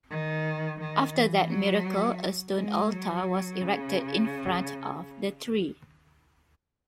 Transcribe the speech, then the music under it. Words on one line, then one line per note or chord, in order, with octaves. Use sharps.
After that miracle a stone altar was erected in front of the tree.
D#3
D#3
E3
F#3
G#3
F#3
C#3